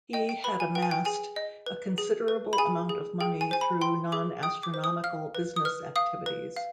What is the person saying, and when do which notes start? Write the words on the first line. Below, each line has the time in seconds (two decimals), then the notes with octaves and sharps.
He had amassed a considerable amount of money through non-astronomical business activities.
0.13 D#5 G5
0.29 G5
0.44 B4 B5
0.60 G#5
0.75 B4 G5
0.83 G#5
0.91 G5
1.05 G#4 G#5
1.36 D#5
1.66 B4
1.98 G#4
2.28 B4
2.53 B5
2.58 G#4 G#5
2.89 G#4
3.21 G#4 G5
3.41 G#5
3.51 C5 G#5
3.61 B5
3.81 G5 C6
4.12 G#4 D6
4.43 G5 D#6
4.63 D6
4.74 C5
4.84 D#6
5.04 F5 F6
5.35 B4
5.56 D#6
5.65 B4 F6
5.96 F5 D#6
6.26 B4
6.56 F5